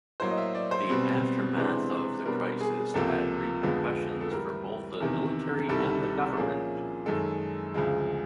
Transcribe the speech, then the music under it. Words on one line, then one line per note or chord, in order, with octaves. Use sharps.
The aftermath of the crisis had repercussions for both the Military and the government.
A2 F#3 A#3 C5
D#5
E5
D5
C5
B2 G3 C4
C3 E3 G#3 B3 D4
B2 G3 B3 D4 A#4
G#4
C#2 C3 F3 A#3 A4
F2 D3 F3 G#3 B3
A4
A2 E3 G3 A#4
E2 C3 D#3
C2 C3 D#3 G3 A4
A4
A#2 F3 A#3 C#4 G#4
F#2 D#3 G#3 A4
D2 C#3 F3 G#3